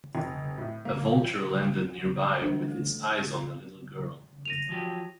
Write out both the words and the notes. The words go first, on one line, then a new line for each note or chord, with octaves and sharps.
A vulture landed nearby with its eyes on the little girl.
F1
A2
A#3
F3
D3 E3 G3 A#3 D4 C5
A3 A4
A#6 D#7 F7
F3 F#3 G4